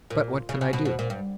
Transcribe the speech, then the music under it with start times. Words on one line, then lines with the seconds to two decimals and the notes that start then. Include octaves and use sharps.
But what can I do?
0.10 A#2
0.49 C#3
0.61 C#3
0.73 B2
0.85 B2
0.99 A#2
1.10 G2